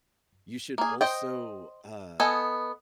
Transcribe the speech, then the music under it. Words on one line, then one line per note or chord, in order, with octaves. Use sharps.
You should also, uh,
A#3 G#4
C5 D#5 G5
B3 A4 D#5 G#5